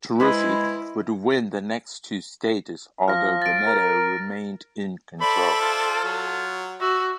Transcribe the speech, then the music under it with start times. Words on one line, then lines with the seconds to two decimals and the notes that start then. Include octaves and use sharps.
Taruffi would win the next two stages, although Bonetto remained in control.
0.20 G#3 E4 B4 C5
3.08 F3 F6 A#6
3.42 A6 D7
3.67 A#4
5.21 A4 C5 D5 E5 B5
5.61 F4
6.04 F#3
6.81 F#4 E5